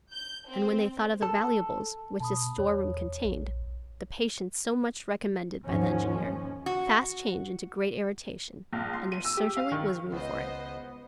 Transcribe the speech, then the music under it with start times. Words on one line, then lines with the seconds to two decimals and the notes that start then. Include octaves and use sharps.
And when they thought of the valuables which this storeroom contained, the patience so much recommended by the engineer, fast changed into great irritation, and there certainly was room for it.
0.12 G6
0.48 C4
1.23 A4
2.20 B2 A5 B5 D#6
2.58 E2 C#5
3.25 A#1
5.64 D#2 G#2 F3 C#4
6.66 F#4
8.73 A#1
8.93 C6
9.12 D#7
9.25 E6
9.37 G4
9.57 F5
9.72 D#3
10.12 C#2 B3 C5 D#5